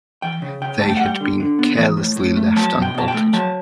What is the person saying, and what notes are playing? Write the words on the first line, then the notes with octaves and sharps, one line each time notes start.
They had been carelessly left unbolted.
E3 G5
C#3
C#3 G5
A3 A5
G5
F#5
G3
G5
D3
D3
B3
E3
A2
A2
A3
F#3 A5
B2
G5
B2 A5
G5
A3
F#3 A5